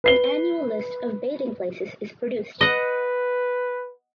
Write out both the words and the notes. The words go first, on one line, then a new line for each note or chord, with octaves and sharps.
An annual list of bathing places is produced.
B4 C7 G7
B4 D#5 F#5